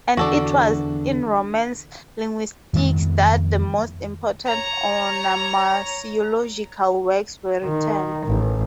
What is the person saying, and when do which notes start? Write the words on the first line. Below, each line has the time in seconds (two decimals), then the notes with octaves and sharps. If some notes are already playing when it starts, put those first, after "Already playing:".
And it was in Romance linguistics that the most important onomasiological works were written.
0.17 E2 D3 F#4 A4 D5
2.73 F2 D#3 G#3 B3
4.46 C#5 A#5
7.63 D#3
8.26 A1